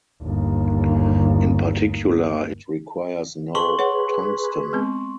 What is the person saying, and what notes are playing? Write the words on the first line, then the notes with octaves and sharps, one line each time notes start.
In particular it requires no tungsten.
G1 D#2
G#4 B4 A5 C6 C#6 F#7
C#5 F#5
G#3 B3 C4